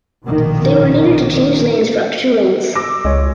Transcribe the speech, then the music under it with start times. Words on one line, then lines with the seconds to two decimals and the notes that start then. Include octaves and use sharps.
They were needed to change lanes for up to two lanes.
0.24 A#1 B2 D#3 A#3
2.75 D6 E6 A#6
3.05 C#2 G#3 C#5